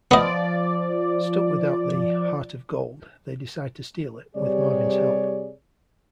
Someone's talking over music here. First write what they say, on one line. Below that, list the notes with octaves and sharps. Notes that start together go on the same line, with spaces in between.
Stuck without the "Heart of Gold", they decide to steal it, with Marvin's help.
F3 B3 D5 D#5
C3 G3 G#4 C#5 D5